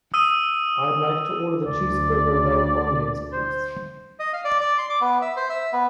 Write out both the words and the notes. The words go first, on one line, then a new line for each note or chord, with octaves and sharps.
I'd like to order the cheeseburger without onions, please.
D#6 E6 D#7
D2 D5
C5
D#5
F5
D5
D5
C6
D6
B3
E5
C5
E5
B3